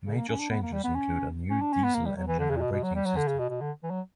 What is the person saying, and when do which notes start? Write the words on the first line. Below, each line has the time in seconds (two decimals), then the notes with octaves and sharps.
Major changes include a new diesel engine and braking system.
0.06 C#3
0.17 A#3
0.29 C#4
0.40 D4
0.50 B3
0.62 A#3
0.73 G3
0.84 B3
0.95 C#4
1.50 C#4
1.62 D4
1.73 C#4
1.84 B3
1.95 A#3
2.06 G3
2.17 F#3
2.28 E3
2.39 D3
2.50 C#3
2.57 A#2
2.61 B2
2.72 B2
2.83 F#3
2.95 G3
3.06 F#3
3.17 D3
3.28 C#3
3.39 B2
3.50 B2
3.61 D3
3.83 E3
3.90 F#3